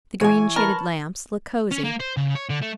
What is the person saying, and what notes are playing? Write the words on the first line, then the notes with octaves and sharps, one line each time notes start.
The green shaded lamps look cosy.
E3 C#5 G#5
A#4 B4 A5
C#4
A#3
C5
C#3
C#5
D3
A3